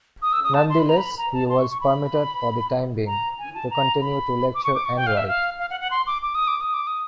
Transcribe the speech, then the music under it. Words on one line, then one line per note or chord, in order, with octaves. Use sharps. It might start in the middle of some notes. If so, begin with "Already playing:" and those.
Nonetheless, he was permitted, for the time being, to continue to lecture and write.
D#6
E6
D#6
A5
C6
B5
A#5
B5
A#5
A5
C6
C#6
C#6
B5
A#5
G#5
A5
A#5
B5
D6
C#6
D6
C#6
G5
F5
E5
F5
F5
F#5
F#5
C6
D6
D6
D#6
D6
D#6
D6
D#6